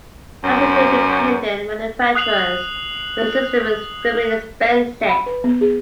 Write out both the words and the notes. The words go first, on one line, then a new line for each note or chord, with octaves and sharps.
Licensing to independent manufacturers made the system extremely expensive.
F#2
D#6 F#6 C7 F7 F#7
B5
B4
B3
G#4